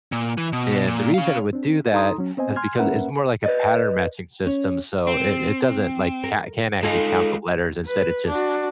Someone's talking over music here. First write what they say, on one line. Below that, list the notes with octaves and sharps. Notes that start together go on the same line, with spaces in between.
and the reason it would do that is because it's more like a pattern matching system, so it it doesn't, like, coun can't actually count the letters, instead it just
A#2
E3
B2
A#2
C#4 F5
C4 D4
D#4 A4 A#5 C6 D#6
F#3 C#4
B3 C4 C5 D#5 G#5
G#5 C6 F6 G#6
A#3 C#4 A#4 B4 E5 F#5
B4 D5 D#5
C#4
C4
A#4
G#3 D#4 F4 G#4 A4
B4
D4 F#4